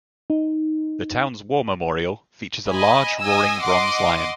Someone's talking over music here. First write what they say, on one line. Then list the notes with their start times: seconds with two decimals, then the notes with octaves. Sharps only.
The town's war memorial features a large roaring bronze lion.
0.30 D#4
2.70 D#5 G#5 B5
3.20 D#5 G#5 D#6 E6
3.62 D#5 F#5 C6 D6